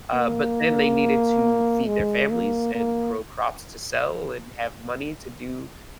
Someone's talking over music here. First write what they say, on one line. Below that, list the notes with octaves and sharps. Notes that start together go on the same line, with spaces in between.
Uh, but then they needed to feed their families and grow crops to sell and have money to do
A#3
G#3
A#3
A#3